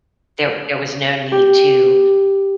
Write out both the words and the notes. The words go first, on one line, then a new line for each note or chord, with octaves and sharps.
There there was no need to
G4